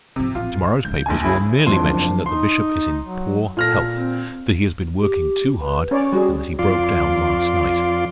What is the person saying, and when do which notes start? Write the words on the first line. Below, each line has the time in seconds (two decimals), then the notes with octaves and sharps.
To-morrow's papers will merely mention that the Bishop is in poor health, that he has been working too hard, and that he broke down last night.
0.16 G#2 C3 F3
0.35 A1 A#2 F4
0.85 C#2 F#3 G6
1.06 A#1 G2 G#5
1.24 C#3 E4
1.67 F#1 F2 D4 C6
2.26 D#4 C6
3.03 F#3
3.57 A#2 A4 F6 A#6
3.93 C4
5.01 G4
5.60 B4
5.91 C#4 C#5 D5
6.13 G3 F#4 G#4
6.59 F2 F4 D5 C6